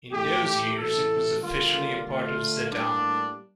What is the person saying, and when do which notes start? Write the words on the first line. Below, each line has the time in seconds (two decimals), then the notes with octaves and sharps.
In those years it was officially a part of Zeddam.
0.11 A2 E3 A3 G4
0.76 A2 E3 A3 A4
1.41 D3 G3 A#3 F4
2.06 D3 A3 F4
2.71 A2 G3 A#3 D4